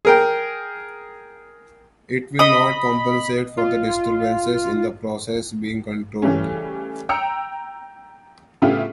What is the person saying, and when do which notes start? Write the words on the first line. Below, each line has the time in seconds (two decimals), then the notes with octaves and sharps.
It will not compensate for disturbances in the process being controlled.
0.05 G#4 A#4 G5
2.39 D#5 B5 D#6
3.57 F4
6.22 C#3 E3 G3 A3 C#4
7.09 G5 A#5 E6 C#7
8.62 A2 C#3 B3 E4 F4 G4